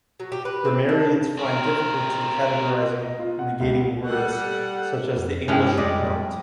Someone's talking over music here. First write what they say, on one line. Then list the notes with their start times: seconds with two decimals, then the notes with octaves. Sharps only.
Grammarians find difficulty categorizing negating words, such as the English "not".
0.20 F#3
0.32 G4
0.45 B4
0.65 C4
0.89 D4
1.38 C4 A#4
3.02 D#5
3.19 F4
3.39 F#5
3.60 C#2
4.05 G3 A4 F#5
5.16 F2
5.48 G2 G#3 A3 C#4 E4 G5
5.77 F2 G3 D5 D#5